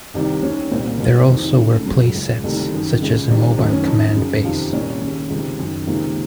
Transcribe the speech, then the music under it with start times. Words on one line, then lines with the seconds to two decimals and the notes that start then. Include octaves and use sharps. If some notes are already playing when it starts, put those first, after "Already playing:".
There also were play sets such as a mobile command base.
0.15 C2 C3 D#3
0.43 D#2 D#3 C#4
0.71 C2 A#2 C4
0.86 A#3
1.00 C2 A#2 A#3
1.29 F2 C3 D#3 C4
1.43 D#4
1.57 C#2 C#3 D#4
1.72 A3
1.86 F#2 C#3 F#3
2.15 C#2 C#3
2.43 C2 C3 D#3 A3
2.72 F#2 D#3
3.01 C#2 C#3
3.29 C2 C3 D#3
3.58 F#2 A3
3.62 D#3
3.73 C#4
3.87 F2 D#3 D#4
4.15 F#2 C#3
4.44 F2 C3 D#3 F4
4.73 C2 A#2 C#4
5.02 D#2 C#3
5.30 C#2 C3 D#3
5.59 F#2 D#3
5.87 C#2 C3 D#3 A#3